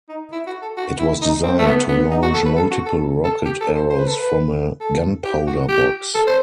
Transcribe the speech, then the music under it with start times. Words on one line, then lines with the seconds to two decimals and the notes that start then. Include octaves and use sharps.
It was designed to launch multiple rocket arrows from a gunpowder box.
0.09 D#4
0.32 E4
0.47 F#4
0.62 A4
0.77 F#4
0.99 E4
1.22 D#4
1.44 C4
1.59 A3
1.67 B3
1.89 B3
2.11 D#4
2.23 F#4
2.34 A4
2.45 B4
2.56 A4
2.71 F#4
2.86 A4
3.24 A4
3.45 G4
3.61 A4
3.75 C5
3.90 C5
3.99 B4
4.07 A4
4.15 B4
4.80 A4
5.25 G4
5.47 F#4
5.69 G4
6.15 A4
6.27 C5